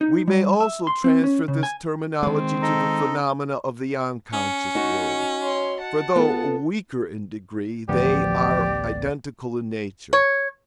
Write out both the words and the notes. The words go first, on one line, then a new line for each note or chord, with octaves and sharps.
We may also transfer this terminology to the phenomena of the unconscious world, for though weaker in degree, they are identical in nature.
D#4
G3
E5
C6
C4
C#4
C#3
G#5
D#3 G#3 C4
D#4 A4 D#5
C#4 C#7
D#4 F#4
C#5 C6
F#5 A5
B3 F4 A4
A1 D2 F3 B3 G4 D5
C#5